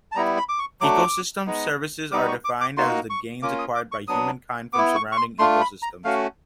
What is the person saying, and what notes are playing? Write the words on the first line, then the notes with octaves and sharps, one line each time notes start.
Ecosystem services are defined as the gains acquired by humankind from surroundings ecosystems.
A5
G3 B3 E4 A#5
B5
D6
C#6
F#3 A3 D4 F#4 D6
G#3 B3 D#4
G3 B3 D#4 D6
C#6
D6
D6
A#3 D#4 F#4 C6
C#6
A#3 C#4 F4 D6
D#6
D6
C#6
F#3 B3 D4 D#6
B3 E4 D6
C#6
C#6
C6
A3 D4 F4 C6
B5
A#5
A3 C#4 F#4 F5